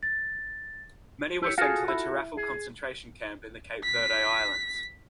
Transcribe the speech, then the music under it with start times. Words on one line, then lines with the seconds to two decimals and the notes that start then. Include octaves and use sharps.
Many were sent to the Tarrafal concentration camp in the Cape Verde Islands.
0.03 A6
1.42 E4 G4 C#5
1.58 F4 F#4 G#4 A4 F5
1.88 E4
2.37 G#4
3.84 B6